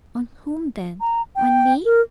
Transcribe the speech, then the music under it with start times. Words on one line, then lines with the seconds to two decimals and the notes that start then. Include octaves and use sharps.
"On whom, then!--on me?"
1.01 A#5
1.36 G5
1.85 A#4